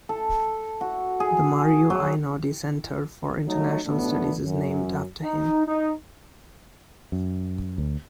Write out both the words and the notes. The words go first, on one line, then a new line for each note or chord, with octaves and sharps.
The Mario Einaudi Center For International Studies is named after him.
A4
F#4
G#4
F#3
F#3 G3 A3 D#4
A1 B2 A3 B3 D4
F#2
D#4
D#4
F#2
D2